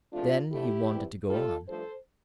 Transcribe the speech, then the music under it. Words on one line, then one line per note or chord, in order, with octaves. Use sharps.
Then he wanted to go on.
E2 C3 F3 A3 D4 F4
F2 D3 A3 E4 G4
E2 C3 E3 G3
A2 G3 F4 A4
G2 F3 A3 A4 C5